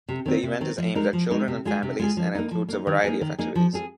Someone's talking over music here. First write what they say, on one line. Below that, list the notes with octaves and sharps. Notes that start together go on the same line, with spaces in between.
The event is aimed at children and families, and includes a variety of activities.
C3
D#3 C4
C3
D#3 C4
F3
G#3 D#4 A#4
F3
G#3 D#4 A#4
C3
G#3 F4 G#4
C3
G#3 F4 G#4
F3
A#3 D#4
F3
A#3 D#4
D#3
A#3 D#4 G#4
D#3
A#3 D#4 G#4
F3
C4 F4 G#4